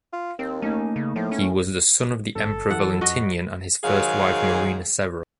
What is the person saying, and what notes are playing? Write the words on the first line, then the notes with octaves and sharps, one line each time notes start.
He was the son of the emperor Valentinian and his first wife Marina Severa.
F4
D#2 C4
A3 A#3 C#4 D#4
C#3
A2 F3
C#4
G1 A4
E3 F#5
F2 F#4 D#5
G#2 D#3 F#3 G#4 F5